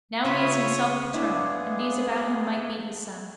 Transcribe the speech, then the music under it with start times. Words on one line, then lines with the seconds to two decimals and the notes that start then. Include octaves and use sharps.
Now he is himself paternal and these about him might be his sons.
0.25 C#3 F4 C#5 E5 B5 D#6
1.13 G#3 B3 D4 E4 G#4 E5 F5 D6